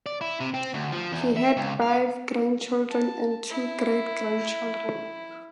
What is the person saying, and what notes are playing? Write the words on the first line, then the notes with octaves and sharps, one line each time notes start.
He had five grandchildren and two great-grandchildren.
D5
E4
C3
C4
D2
F3
E2
E5
C#2
F5
A5
E4